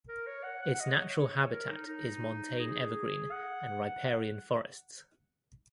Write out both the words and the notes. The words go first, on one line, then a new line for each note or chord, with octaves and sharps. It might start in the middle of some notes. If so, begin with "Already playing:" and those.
Its natural habitat is montane evergreen and riparian forests.
A#4
C#5
F#5
F#5
F#5
D#5
C#5
A#4
D#4
D#4
G#4
F#5